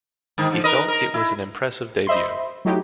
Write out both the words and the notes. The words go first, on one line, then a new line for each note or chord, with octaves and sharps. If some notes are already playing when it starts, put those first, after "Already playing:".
He felt it was an impressive debut.
G#2 D#3
D3 F3
A#4 B4 D#5
A#4
E4
C5 D#5 E5 B5 C6
F#3 A3 D#4 E4 G4